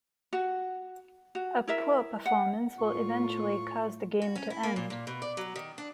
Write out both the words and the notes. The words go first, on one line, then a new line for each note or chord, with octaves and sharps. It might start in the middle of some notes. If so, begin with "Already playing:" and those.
A poor performance will eventually cause the game to end.
F#4
F#4
E4 A#4 E5
F#5
A2 A3 F4 C#6
F#4
C#4
E4
A#3
A#2
A#2
B2
D5
F#3
D#3
D4